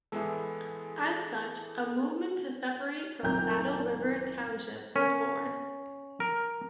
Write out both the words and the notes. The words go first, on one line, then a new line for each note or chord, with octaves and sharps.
As such, a movement to separate from Saddle River Township was born.
E3 G#3 B3 E4 G#4 A4
F#1 A#2 D#3 C4 A#5 G6
C#4
A#4